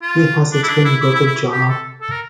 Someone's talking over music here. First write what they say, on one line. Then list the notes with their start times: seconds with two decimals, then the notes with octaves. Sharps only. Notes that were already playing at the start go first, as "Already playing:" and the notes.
He has a twin brother, Jono.
0.02 F4
0.52 D4
0.63 E4
0.68 D4
0.85 E4
1.01 E4
1.14 E4
1.26 E4
1.52 G4
1.69 A4
2.01 A4
2.11 A#4